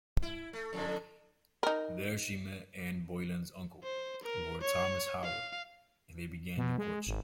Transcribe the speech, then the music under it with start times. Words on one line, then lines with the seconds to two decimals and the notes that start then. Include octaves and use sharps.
There she met Anne Boleyn's uncle, Lord Thomas Howard, and they began their courtship.
0.22 E4
0.53 A3
0.73 F2 A2 D3
1.63 D#4 A#4
3.83 C5
4.23 A#4
4.61 C#5
5.23 F5
6.57 B2
6.78 G#3
7.07 G#1